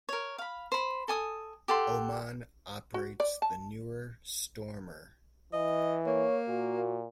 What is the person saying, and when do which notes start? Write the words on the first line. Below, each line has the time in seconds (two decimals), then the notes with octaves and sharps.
Oman operates the newer Stormer.
0.09 A#4 C#5
0.38 F5 B5
0.72 C5 B5
1.08 A4 G#5 D#6
1.68 G4 A4 F#5 C6
2.94 F#4
3.20 D5
3.42 A5
5.53 E3 D#5
6.06 A#3 C#5
6.48 A#2 F#4